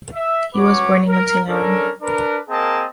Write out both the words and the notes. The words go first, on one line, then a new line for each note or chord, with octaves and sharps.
He was born in Nottingham.
E5
C#4 F#4 B4 C#5 D6
A#4
C#4 D4 A4 A#4
D4 A#4 B4
A#3 C4 G#4 A#4 D#5 A5